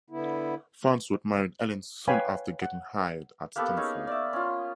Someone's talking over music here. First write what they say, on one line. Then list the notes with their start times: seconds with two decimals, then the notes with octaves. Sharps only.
Farnsworth married Helen soon after getting hired at Stanford.
0.10 D3 B3 E4
2.08 B4 C#5 F5 G5 G#5 B5
2.62 F#5
3.56 A#3 B3 G4 A4
3.77 C#4 D#4 G#4
4.07 D5 E5
4.33 C#4 F4